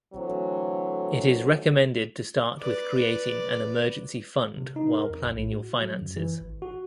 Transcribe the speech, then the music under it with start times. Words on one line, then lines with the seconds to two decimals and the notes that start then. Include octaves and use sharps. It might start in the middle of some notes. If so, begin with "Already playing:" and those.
It is recommended to start with creating an emergency fund while planning your finances.
0.14 D3 E3 F#3 A3 C4
2.60 B4 D5
4.57 C3
4.76 D#4
4.93 A#4
5.10 F2
5.25 A#1
5.39 A2
5.52 F#4
5.83 F#3
6.01 F#2
6.17 E3
6.41 G#1
6.62 F#4